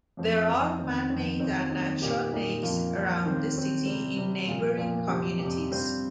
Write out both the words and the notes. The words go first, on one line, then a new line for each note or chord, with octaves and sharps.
There are man-made and natural lakes around the city in neighbouring communities.
F2 F3 C4
F2 F3 C4
F2 D#3 C4
F2 D#3 C4
D#2 D#3 C4 D#4
D#2 D#3 C4 D#4
A#2 A#3 D#4 G4 A#4
A#2 A#3 D#4 G4 A#4
F2 F3 A#3 F4
F2 F3 A#3 F4
D#2 D#3 C4
D#2 D#3 C4
C3 G3 C4
C3 G3 C4
A#2 F3 A#3
A#2 F3 A#3
F2 C3 F3 C4 G4
F2 C3 F3 C4 G4
G2 G3 C4 F4